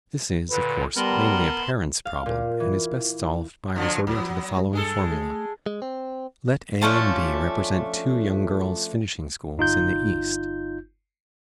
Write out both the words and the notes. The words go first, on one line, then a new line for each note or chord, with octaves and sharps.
This is, of course, mainly a parent's problem and is best solved by resorting to the following formula: Let A and B represent two young girls' finishing schools in the East.
A#2 D3 B4
G3 B3 A#4 A5 B5 C6
F5
A#2
E3
D3 F3 F#3
D2 F#3 B3
F3
G3
G2 G#3 G#4 A4
A3
G#3
C4
F3 A3 C#4 D4
G1 D#4 F4 G6